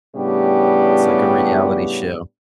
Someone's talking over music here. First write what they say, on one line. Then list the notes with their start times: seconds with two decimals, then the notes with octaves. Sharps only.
It's like a reality show,
0.16 A2 C#3 G3 B3 D4 G4